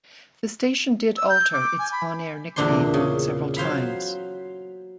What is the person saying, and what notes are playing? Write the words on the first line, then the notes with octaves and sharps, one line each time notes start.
The station did alter its on-air nickname several times.
E6
G6
D6
G#5
B5
E2 A#2 D3 D4 C5 C6
C#3
F#3 C5 F5 B5